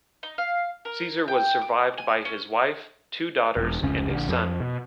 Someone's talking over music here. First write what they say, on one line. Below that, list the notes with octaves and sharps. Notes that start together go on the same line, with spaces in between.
Caesar was survived by his wife, two daughters, and a son.
D#4
F5
A#4
G5
D6
G#5
C#4
E1
F1 C#2 C#3 C#4
A#1 D3
F2
B2